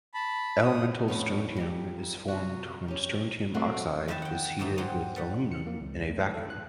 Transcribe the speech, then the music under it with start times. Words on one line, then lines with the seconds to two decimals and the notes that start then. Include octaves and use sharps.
Elemental strontium is formed when strontium oxide is heated with aluminium in a vacuum.
0.14 A5 B5
0.64 D#6
1.08 F2 A2 G#3 B3 C#4
1.57 F2 G4
2.28 C3 F3 F#4
2.88 C#4 G4
3.54 F#3 A3 A#3 C4 F#5
4.08 D#3 B4 D#5 E5 A5
4.22 F#5 G5
4.59 G#2 D3 A3 D#4
4.78 G#2 F#3 G#3 C5 F#5 G5
5.16 G3 F#5
5.52 C#7
5.67 A#3
5.81 C#2
6.08 A3
6.34 A4
6.50 F#6